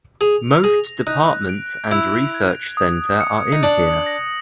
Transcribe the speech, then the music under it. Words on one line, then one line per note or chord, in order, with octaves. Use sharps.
Most departments and research center are in here.
G#4 F7
G#4 A#6
D#4 F#6
D7
E4 F7
G#6
D#6
C#7
D#4
D4 F#7
A#6